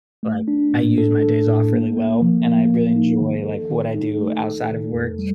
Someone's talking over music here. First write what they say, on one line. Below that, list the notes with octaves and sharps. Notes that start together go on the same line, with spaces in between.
like, I use my days off really well and I really enjoy, like, what I do outside of work,
A3
D4
A2
A4
A4
A2
A#3
A#3
F3
A#3
A#3
D#4
D#3
A4
D#3
D#4
A3
A4
C3
F2
G3